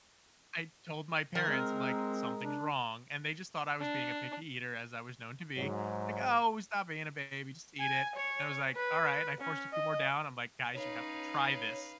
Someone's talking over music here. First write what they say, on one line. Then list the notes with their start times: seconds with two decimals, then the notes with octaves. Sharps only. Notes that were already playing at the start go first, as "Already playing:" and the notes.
I told my parents, I'm like, "Something's wrong," and they just thought I was being a picky eater as I was known to be, like, "Oh, stop being a baby, just eat it," and I was like, "Alright," and I forced a few more down, I'm like, "Guys, you have to try this,"
1.35 D#3 A#4
1.48 G#3 C4
2.41 D4
3.80 D4
5.58 G#2 F#3
7.80 G#5
8.16 C#5
8.76 B4
9.41 C#4
9.73 D#5
10.75 C#4 D#4 B4 C#5 F5